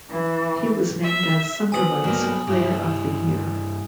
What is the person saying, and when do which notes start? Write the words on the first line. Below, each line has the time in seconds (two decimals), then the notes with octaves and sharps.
He was named as Sunderland's Player of the Year.
0.10 E3
1.02 E5
1.72 F3 F#3 B3 G#5 D#6 F#7
2.04 G2 F#3 A#3 B3
2.47 G2 E4 G4